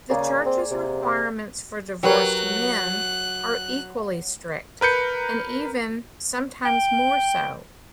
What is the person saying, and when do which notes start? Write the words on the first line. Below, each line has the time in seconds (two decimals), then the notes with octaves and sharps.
The church's requirements for divorced men are equally strict, and even sometimes more so.
0.10 C#3 A#3 G#4 D5
0.45 C4
0.70 C3
2.03 F#3 G4 A#4 B4 C#5 G5 F#6
4.81 A#4 B4 G6 C#7
6.65 G5